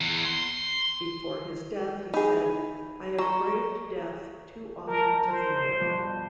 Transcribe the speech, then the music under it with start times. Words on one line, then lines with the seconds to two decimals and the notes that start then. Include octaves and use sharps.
Before his death, he said; I have braved death too often to fear it.
0.01 E2
0.25 C6
2.14 D#4 G#4 B5
3.18 F#3 A#5 C#6
4.87 F2 A#4 A5
5.27 F2 C5
5.80 G2 B2 F3